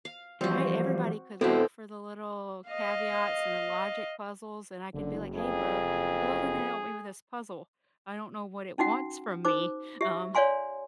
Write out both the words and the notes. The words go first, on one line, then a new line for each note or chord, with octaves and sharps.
Right, everybody could look for the little caveats and the logic puzzles, and I could be like, "Hey bro, come over here and help me with this puzzle. I don't know what it wants from me, um."
F5
E2 F3 G3 C4 F#4
B2 B3 C4 E4 F#4 A4
D#5 F5
F#1 D3
F2 G#4
C#4 D#4 F#4 F#5
D#4 C5 D6
G4 E5
C#5 D5 F5 G#5 C6